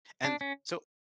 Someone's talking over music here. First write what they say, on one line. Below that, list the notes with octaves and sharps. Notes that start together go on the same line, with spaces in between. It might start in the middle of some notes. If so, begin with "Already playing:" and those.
And so
D4
C#4